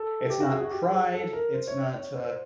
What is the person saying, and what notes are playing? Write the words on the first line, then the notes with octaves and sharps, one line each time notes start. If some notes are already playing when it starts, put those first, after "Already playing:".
it's not pride, it's not, uh
Already playing: A4
G4
F#4
G#4
F#4
G4
G4
G#4
G#4
A4
A#4
C5
C#5
D5
C#5
C5